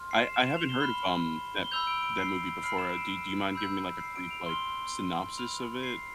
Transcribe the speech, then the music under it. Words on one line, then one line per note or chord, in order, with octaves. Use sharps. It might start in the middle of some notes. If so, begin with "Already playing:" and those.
I I haven't heard of, um, that that movie before. Do do you mind giving me, like, a brief, like, synopsis of it?
Already playing: C6 F6
C7
E7
E7
E7
F7
G7
B5 F6
G7
B5 E6 G6 F7
D7
D7
C7
B5 F6 C7
E7
D7
B5 E6 G6
C7
D7
F7
C6 F6 G7
B5 F6 F7
C7